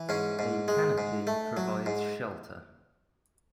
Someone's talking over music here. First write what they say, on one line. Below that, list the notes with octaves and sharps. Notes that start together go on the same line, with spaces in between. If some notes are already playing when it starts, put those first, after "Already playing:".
A canopy provides shelter.
Already playing: E3
G#2 C#4
G#2
G#3
G#2
A3
F#3
G#2